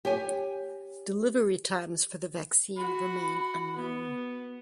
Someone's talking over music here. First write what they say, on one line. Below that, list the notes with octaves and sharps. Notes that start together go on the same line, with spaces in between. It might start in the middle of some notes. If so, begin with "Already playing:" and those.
Delivery times for the vaccine remain unknown.
G4 C#5 G#5
F#4 B5
B3